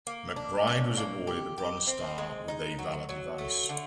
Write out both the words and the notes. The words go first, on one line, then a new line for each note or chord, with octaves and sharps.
McBride was awarded a Bronze Star with a Valor device.
A#3
D4
C#4
A#3
G4
G4
C4
G#3
D#4
F#3
F#3
A3
D3